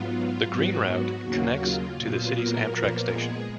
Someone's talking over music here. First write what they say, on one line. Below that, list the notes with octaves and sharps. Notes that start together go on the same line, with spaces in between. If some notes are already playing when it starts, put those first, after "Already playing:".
The Green Route connects to the City's Amtrak station.
Already playing: G#2 F#3 B3 F4
G#2 F#3 B3 F#4
F#4
D#2 C#3 F#3 A#3
F4
A#2 F#3 B3
A#3 A#4
A#2 F3 B3
G#3 G#4